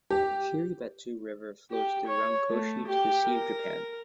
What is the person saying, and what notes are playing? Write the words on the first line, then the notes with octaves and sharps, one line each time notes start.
Shiribetsu River flows through Rankoshi to the Sea of Japan.
G4
G4
C#5
A3
G4
A#4